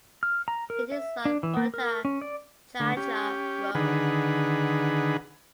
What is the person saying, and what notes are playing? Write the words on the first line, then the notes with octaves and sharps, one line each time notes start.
It is on Rohtak Jhajjar road.
F6
A#5
A#4
E5
D4
E3
A#3
A#4
C#4
D5
D3 A3
C#4 G4
D3 D#3 G#4 B4 F#5